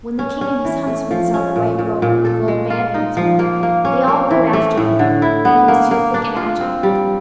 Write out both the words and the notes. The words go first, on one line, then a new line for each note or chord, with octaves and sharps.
When the king and his huntsmen saw the white roe with the gold band once more, they all rode after him, but he was too quick and agile for them.
C#4
C#4
E3
A3
F3
C#4
A#2
A#2
A#2
A4
G#3
F4
D#4
F3
A#3
A#3
C#4
A#3
E3
A3
A2
D3
E4
B3
A#3
A#3
D4
F4
C4
G3